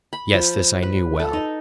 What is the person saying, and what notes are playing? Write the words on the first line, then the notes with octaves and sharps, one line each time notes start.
Yes, this I knew well.
B5
F3
B4
A4
D#4